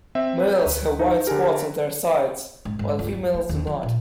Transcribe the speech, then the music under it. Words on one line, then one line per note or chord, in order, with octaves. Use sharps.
Males have white spots on their sides, while females do not.
C4 E5
B4
D2
D#4
D3 G4 G#4 A#4 G#5
G#2
G#2
C#2
F2
A3
D#2
F3
A#2